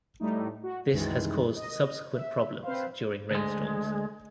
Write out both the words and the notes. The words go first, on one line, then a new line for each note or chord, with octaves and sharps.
This has caused subsequent problems during rainstorms.
A2 G3 A3 D#4
F#4
C2 F#2 D#3 E3 G#3
D#5
E5
C4 B4 C5 F5
D2 G#3